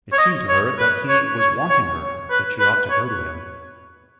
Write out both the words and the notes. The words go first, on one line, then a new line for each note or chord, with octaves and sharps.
It seemed to her that he was wanting her, that she ought to go to him.
C#5
D#5
C#5
B4
C#5
C#5
C#5
B4
B4
C#5